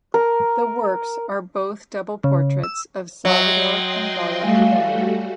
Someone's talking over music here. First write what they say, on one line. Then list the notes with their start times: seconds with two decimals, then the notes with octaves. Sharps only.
The works are both double portraits of Salvador and Gala Dali.
0.14 A#4
2.24 C#3
2.64 E6
3.25 F#3 D#5 E5 G5 C6
4.41 G3 A3 F#4 F5 G#5